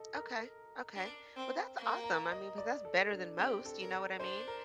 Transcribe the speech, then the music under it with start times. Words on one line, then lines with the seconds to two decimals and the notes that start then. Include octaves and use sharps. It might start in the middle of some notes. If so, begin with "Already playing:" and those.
Okay. Okay. Well, that's awesome, I mean, 'cause that's better than most. You know what I mean?
Already playing: A4 D#5
0.15 A#4
0.95 D4
1.36 C4
1.77 A#3
2.04 A#5
2.31 D#5
2.58 D5
2.85 A4
3.11 D4
3.39 C4 G4
3.65 A4
3.80 A#4
3.93 A#4
4.20 D4 C5
4.48 A#4